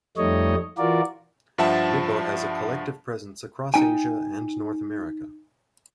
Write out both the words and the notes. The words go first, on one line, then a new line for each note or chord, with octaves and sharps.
Lippo has a collective presence across Asia and North America.
F2 G3 A3 D#4 C#5 D#5
E3 F4 F#4 A#4 D5
G2 F3 E5 F#5 A5
D#4 G5 G#5